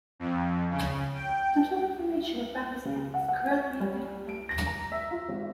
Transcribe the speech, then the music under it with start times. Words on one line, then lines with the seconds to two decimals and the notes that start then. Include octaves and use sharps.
Little information about his death is currently available.
0.19 F2
0.70 C#3
1.14 G5
2.85 C#3
3.14 F#5
3.28 F#5
3.51 C#5
3.80 G3
4.29 D7
4.49 A#6
4.66 A#5
4.92 E5
5.11 F4
5.29 G#1